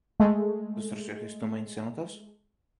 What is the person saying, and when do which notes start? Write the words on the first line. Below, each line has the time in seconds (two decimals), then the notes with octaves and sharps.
The structure has two main cenotaphs.
0.20 G#3 A3